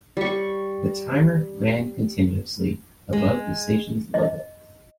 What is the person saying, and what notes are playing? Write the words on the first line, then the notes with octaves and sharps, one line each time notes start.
The timer ran continuously above the station's logo.
G3 C#6
G#3
D#5